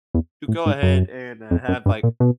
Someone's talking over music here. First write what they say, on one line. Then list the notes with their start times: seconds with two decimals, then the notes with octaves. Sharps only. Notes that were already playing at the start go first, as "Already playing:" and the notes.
You go ahead and, uh, have, like
0.14 E2
0.48 A2
0.66 G#2
0.82 F#2
1.51 F2
1.68 F#2
1.86 G2
2.03 A#2
2.20 B2